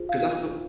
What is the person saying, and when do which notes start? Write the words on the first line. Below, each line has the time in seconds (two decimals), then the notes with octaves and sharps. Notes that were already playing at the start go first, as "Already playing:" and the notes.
'Cause I feel
Already playing: F4 G#4 C5
0.09 F5